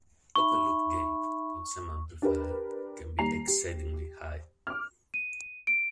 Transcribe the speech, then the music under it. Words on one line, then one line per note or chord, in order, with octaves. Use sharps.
Open loop gain, in some amplifiers, can be exceedingly high.
D#4 E5 B5 C#6
D4 G4 A#4 B4
D#2 G3 A#5 C7 F7
G4
D6 F6
D#7
D7